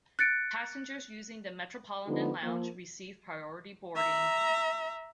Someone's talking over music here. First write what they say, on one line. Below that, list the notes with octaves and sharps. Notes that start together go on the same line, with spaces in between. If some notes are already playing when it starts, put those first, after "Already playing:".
Passengers using the Metropolitan Lounge receive priority boarding.
F#6 A6 C#7 D7
D3 F3 G3 B3 D#4 G4
F3 A#3
E5 A#5